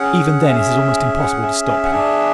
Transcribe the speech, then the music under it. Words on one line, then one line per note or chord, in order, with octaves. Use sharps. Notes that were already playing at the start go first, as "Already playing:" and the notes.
Even then it is almost impossible to stop him.
Already playing: C#4 G#4 F#5
C#4 G#4 E5
F#5
E5
E5
F#5
D4 G#4 E5